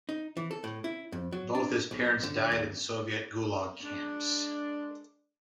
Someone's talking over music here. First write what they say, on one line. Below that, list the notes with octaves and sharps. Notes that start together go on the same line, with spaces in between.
Both his parents died in Soviet Gulag camps.
D#4
E3
A4
A2
E4
F2
F#3
D4
B1
D3
D#2
G#3 D4